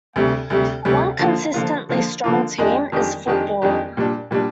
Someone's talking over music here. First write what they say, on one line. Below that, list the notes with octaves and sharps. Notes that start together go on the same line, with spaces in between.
One consistently strong team is football.
D2 C3 G3
D2 C3 G3
D2 C3 G3
D3 F3 A#3 F4
D3 F3 A#3 F4
D3 F3 A#3 F4
D3 F3 A#3 F4
F2 D#3 G#3 D4 G4
F2 D#3 G#3 D4 G4
F2 D#3 G#3 D4 G4
F2 D#3 G#3 D4 G4
A#2 G3 D4
A#2 G3 D4